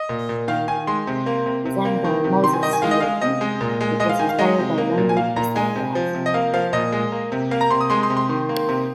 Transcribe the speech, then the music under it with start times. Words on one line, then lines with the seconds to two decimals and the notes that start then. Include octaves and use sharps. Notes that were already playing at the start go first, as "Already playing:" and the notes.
Designed by Moses C. Edey, it was inspired by London's Crystal Palace.
Already playing: D#5
0.09 A#2
0.29 A#2
0.48 D#3 F5
0.68 D#3 G#5
0.87 G#3 C6
1.07 C3
1.26 A#3
1.46 C3
1.65 C3
1.85 A#3
2.04 D#3
2.24 C3
2.43 D#3 C6
2.53 G#5
2.63 D#3 D#5
2.73 G#5
2.82 G#3 F5
2.91 D#5
3.00 G#3 F5
3.21 C3 D#5
3.41 G#3
3.61 A#2
3.81 G#3
4.00 G#3 D#5
4.09 F5
4.19 D#3 G#5
4.29 F5
4.39 G#3 D#5
4.59 C3
4.78 A#3
4.98 A#2
5.09 G#5
5.17 A#3 F5
5.36 A#2 A#5
5.56 G#3 G#5
5.76 C3
5.95 F3
6.14 C3
6.26 D#5
6.34 A#3 F5
6.54 F3 F5
6.73 A#2 D#5
6.92 G#3
7.12 A#3
7.32 C3
7.51 A#3 F5
7.61 A#5
7.71 C3 C6
7.81 D#6
7.90 G#3 C6
8.03 C6
8.10 C3
8.17 C6
8.29 D#3
8.49 A#3
8.69 C3